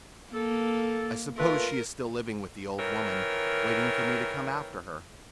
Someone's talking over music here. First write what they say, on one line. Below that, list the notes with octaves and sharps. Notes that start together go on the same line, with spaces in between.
I suppose she is still living with the old woman, waiting for me to come after her.
A#3 A4
A3 F4 A#4 B4
D#3 E3 A#4 C#5